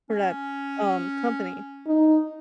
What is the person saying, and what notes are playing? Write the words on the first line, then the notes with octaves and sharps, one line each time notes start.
for that, um, company.
C#4
D#4